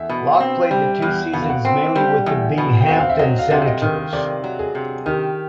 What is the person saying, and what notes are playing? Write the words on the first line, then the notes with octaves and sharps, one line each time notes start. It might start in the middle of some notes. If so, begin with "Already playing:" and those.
Locke played the two seasons mainly with the Binghamton Senators.
Already playing: E2 E5
B2
C4
G3
E2
B2 F#5
F5
F#5
C4
G3
E2 G5
B2
G5
C4 F#5
F5
E5
F#3 D#5
F5
C3 E5
D#5
D#3
C3 D5
F#3
G#4
C3
D#3 G4